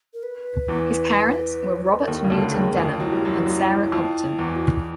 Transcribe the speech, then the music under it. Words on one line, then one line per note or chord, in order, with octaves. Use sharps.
His parents were Robert Newton Denham and Sarah Compton.
A#4
B4
E2 E3
C#5
C5
B4
A#4
D#2 D#3 A4
C#3 A#4
D2 D3 A4
A4
D#2 D#3 G#4
F2 F3 F4
F#3 E4
G3
F#2 F#3
F#2 F#3
F2 F3
E2 E3
F#4
F4
E4